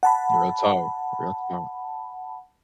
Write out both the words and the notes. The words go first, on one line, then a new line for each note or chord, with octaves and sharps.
Real talk, real talk.
F#5 A5 B5